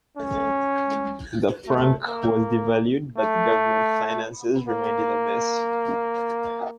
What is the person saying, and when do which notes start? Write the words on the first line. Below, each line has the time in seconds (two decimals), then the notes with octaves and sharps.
The franc was devalued, but government finances remained in a mess.
0.17 C#4
1.67 A3
2.05 A#3
3.18 A3
4.68 A#3